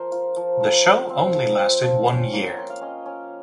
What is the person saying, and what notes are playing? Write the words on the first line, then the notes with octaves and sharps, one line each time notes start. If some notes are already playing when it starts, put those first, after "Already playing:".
The show only lasted one year.
Already playing: F3 A#4 C5
F4
F3
F3
F4
C4
F3
C4
F3
C#4
A#3
F4 G5
F5
C#4 D#5
C#4